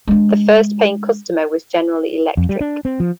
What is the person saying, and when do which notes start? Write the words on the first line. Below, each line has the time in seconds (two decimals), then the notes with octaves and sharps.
The first paying customer was General Electric.
0.08 G#3 D4
2.37 F2
2.49 G3
2.61 D4
2.85 C4
3.00 F3